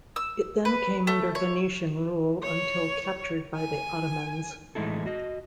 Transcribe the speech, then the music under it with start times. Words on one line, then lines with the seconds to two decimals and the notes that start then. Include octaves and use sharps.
It then came under Venetian rule until captured by the Ottomans.
0.16 E6
0.65 B4
1.07 A3
1.35 C#5
2.43 C#5
3.56 G#5
4.75 A2 E3 G#3 D#4 E4 A4
5.06 F#4 D#5